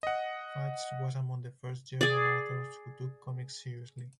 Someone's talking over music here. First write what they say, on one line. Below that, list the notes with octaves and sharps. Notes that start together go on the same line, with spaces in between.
Fuchs was among the first German authors who took comics seriously.
D#5 F#5
G#4 D5